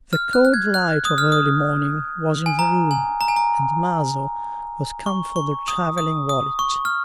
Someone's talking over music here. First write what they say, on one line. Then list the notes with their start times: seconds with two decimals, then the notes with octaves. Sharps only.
The cold light of early morning was in the room, and Maso was come for the travelling-wallet.
0.13 F6
0.33 F#6
0.45 F#6
0.54 G#6
0.74 F#6
1.05 D#6
1.18 F6
1.32 D#6
2.46 G#5
2.59 A#5
2.91 G#5
3.21 A#5
3.28 G#5
3.36 A#5
5.06 C#6
5.36 C#6
5.68 D#6
5.98 D#6
6.29 D#6
6.59 C#6
6.85 F6